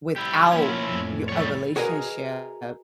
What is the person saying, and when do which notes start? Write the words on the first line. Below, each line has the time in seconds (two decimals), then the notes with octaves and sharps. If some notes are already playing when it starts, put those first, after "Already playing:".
without y a relationship
0.16 E4 G4
0.52 F3 A#3 C#4 E4
0.90 F2 A2
1.29 G3 C#5
1.76 F#4 G#4 A#4 B4 D#5 G#5